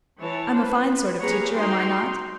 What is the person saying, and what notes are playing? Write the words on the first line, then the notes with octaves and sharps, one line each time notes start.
I'm a fine sort of teacher, am I not?
E3 E4 C#5 A5
B4 C5
A#3 G4 G#4 B4 C#5 A#5
D#4 F#4 G5 C6